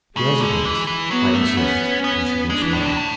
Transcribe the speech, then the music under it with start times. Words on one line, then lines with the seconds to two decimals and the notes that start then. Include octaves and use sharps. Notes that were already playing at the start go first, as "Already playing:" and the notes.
She hesitates, I insist, and she gives way.
0.17 C#3 G#3
0.40 D3
0.64 E3
0.87 E3
1.11 F#3 B3
1.34 A3
1.57 B3 C#4
2.04 B3
2.50 G#3 D4
2.62 E3
2.73 A2
2.85 B2
2.97 A2